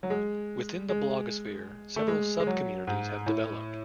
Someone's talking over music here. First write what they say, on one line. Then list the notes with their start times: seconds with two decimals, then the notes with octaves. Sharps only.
Within the blogosphere, several sub-communities have developed.
0.03 F#3
0.10 G#3
0.89 G#3
1.96 A3
2.08 G#3
2.40 G#3
2.47 F#3
2.87 G#2
3.26 A2